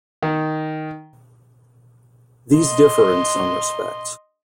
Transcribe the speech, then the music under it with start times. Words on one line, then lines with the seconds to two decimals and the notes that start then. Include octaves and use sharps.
These differ in some respects.
0.22 D#3
2.57 D#5 C6